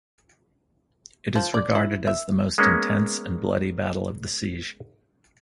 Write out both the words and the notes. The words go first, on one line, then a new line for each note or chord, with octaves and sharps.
It is regarded as the most intense and bloody battle of the siege.
F3
D5
E4
E5
G#3 A#3 B3 C#4